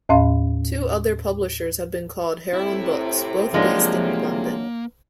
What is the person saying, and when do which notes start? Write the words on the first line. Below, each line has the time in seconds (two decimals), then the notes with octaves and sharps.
Two other publishers have been called Heron Books, both based in London.
0.09 D#2 A2 C#4 F5 C6
2.53 A2 C3 E4
3.54 F3 F#3 G#3 A#3 D4 D#4